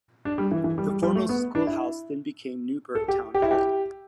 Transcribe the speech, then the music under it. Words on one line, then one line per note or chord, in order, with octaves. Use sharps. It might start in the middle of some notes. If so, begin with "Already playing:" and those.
The former schoolhouse then became Newburgh Town Hall.
D4
G3
E3
E3
G3
G3
G3
A3
B3
D4
E4
A4
G4
G4
E4
G4